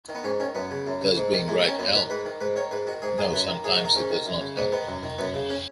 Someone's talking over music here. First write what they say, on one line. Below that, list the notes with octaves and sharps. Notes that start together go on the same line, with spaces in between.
Does being right help? No, sometimes it does not help.
D#3
B3
G#2 C#4
D#3 C#4
F#2 B3
C#3
F#2
C#3
G#2
D#3
G#2 G#3
B3
D#3 C#4
F#2 B3
D#3 B4
G#2 B4
D#3
G#2 B4
D#3 C#5
G#2 B4
D#3 F#4
G#2 G#4
D#3 G#4
F#2 B4
D#3
G#2 G#4
F#4
D#3
D#4
G#2 C#4
D#3
F#2
C#3
G#2 B3
D#3 B3
F#2
D#3
F#2 B3
C#3
C#4